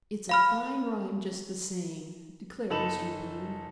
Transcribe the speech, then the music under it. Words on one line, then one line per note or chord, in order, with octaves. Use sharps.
"It's a fine rhyme, just the same," declared Mr. Bloom.
F5 B5 F6
F#1 D#4 A4 B5 E7 F#7